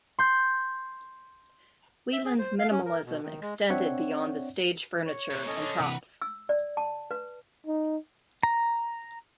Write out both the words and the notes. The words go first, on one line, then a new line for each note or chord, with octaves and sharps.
Wieland's minimalism extended beyond the stage furniture and props.
C6 G6
E5
G#4
C5
F5
C#4
A#4
B2
D#3
G#3
C4 D4 C#5 D5 E5 F#5
C#5
E2 A#2
C#4 A4 D#5
D3
C3 E3 A#4 B4 F#5
E6
D5
A5
B4
D#4
A#5